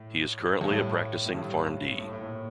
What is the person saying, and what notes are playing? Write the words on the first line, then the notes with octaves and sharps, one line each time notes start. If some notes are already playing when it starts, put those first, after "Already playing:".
He is currently a practicing Pharm.D.
Already playing: A2
G2
A2
A2
G2
A2
A2
A#2